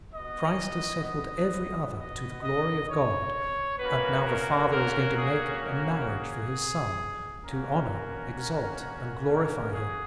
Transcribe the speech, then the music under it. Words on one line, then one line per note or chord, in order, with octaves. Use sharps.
Christ has settled every other to the glory of God; and now the Father is going to "make a marriage for his Son,"--to honor, exalt, and glorify him.
B3 F#4 D#5
D#5
D#5
D#5
C#5
A#3 C#4 F#4 B4
A#4
A#4
G#4
A#4
G#4
A#3 C#4 F#4 A#4
A#4
G#4